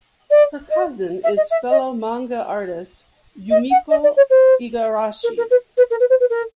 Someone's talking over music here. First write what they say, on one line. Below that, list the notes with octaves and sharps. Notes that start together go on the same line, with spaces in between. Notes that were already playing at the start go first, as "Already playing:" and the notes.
Her cousin is fellow manga artist, Yumiko Igarashi.
D5
D#5
E5
D#5
E5
D#5
D#5
F#5
D#5
D5
C#5
C5
A#4
A#4
B4
B4
A#4
B4
C5
B4
A#4